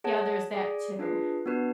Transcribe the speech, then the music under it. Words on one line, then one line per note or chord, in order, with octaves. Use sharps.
Yeah, there's that too.
G#4 C#5 F#5 A5
G#4 D5 G#5
D4 F4 G#4 B4
B3 D4 F#4 B4